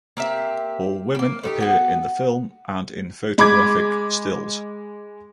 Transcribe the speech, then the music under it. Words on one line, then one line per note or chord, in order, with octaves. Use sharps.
All women appear in the film and in photographic stills.
A#3 C4 G4 E5
G3 A#3
A3 D#4 G4
B3 F#4
G#3 B5 D6 G#6